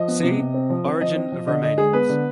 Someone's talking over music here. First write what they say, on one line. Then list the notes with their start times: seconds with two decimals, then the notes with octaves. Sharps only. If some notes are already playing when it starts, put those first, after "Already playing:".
See: Origin of Romanians.
Already playing: F3 D#5
0.08 B3
0.23 C3
0.38 C3
0.54 C4
0.70 F3
0.85 C4
1.01 F3 D#5
1.16 C4
1.32 F3
1.47 D3 D#5
1.63 D3 D#5
1.78 G#3 G#4
1.93 B3 B4
2.09 D3